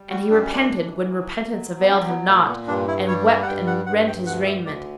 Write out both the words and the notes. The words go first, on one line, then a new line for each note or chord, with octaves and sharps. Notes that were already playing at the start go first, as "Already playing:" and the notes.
And he repented when repentance availed him naught, and wept and rent his raiment.
Already playing: G3
F#4
F#2 D4
C#4
D4
E3
F#3
F#3
B3
F#3 C#4
B3
A#2 A#3
B3
G2 D4
E4
G3 C#5
E5
F#5
G2 G5
F#5
G2 F#5
G5
D2 F#5
E5
D2 D5